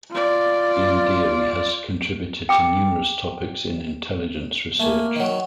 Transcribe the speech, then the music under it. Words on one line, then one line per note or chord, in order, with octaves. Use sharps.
Ian Deary has contributed to numerous topics in intelligence research.
F4 D5
G5 D6
A3 A#3 G#5
D#3 F#3